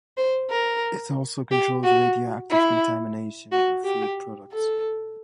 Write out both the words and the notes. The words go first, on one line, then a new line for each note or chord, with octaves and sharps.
It also controls radioactive contamination of food products.
C5
A#4
G4
F#4
E4
F#4
G4
A4